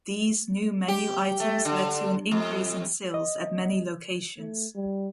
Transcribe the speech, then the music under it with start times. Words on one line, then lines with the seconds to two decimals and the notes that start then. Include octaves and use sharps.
These new menu items led to an increase in sales at many locations.
0.88 G4
1.40 A3
1.65 D3
2.31 F2
3.14 D#5
4.38 A3
4.75 G3